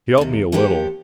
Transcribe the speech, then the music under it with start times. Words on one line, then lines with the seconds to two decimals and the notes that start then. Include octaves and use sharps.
He helped me a little.
0.18 D#2 C3
0.52 F3 A#3 D4 G4 B4 C#5